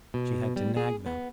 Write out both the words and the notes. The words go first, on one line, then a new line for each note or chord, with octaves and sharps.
She had to nag them.
B2
G3
G#4
B3